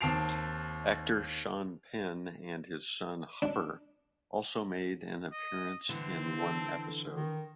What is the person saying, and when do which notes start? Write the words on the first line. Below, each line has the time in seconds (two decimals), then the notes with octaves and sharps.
Actor Sean Penn and his son Hopper also made an appearance in one episode.
0.01 D#2 C4 A5 C7 D7 F7
3.42 D4
5.32 D#5
5.89 D3 E3 C4
6.39 A4
7.15 D#3